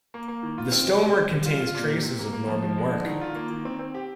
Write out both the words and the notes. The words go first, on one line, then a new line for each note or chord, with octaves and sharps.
The stonework contains traces of Norman work.
A#3
A#3
D#3
F4
C4
C3
G3
G3
G3
F4
F4
A#2
C3
C3
A#3
A#3
F3
F3
G#3
D3
D#3
F4
A#3
D#3
C4
C4
G4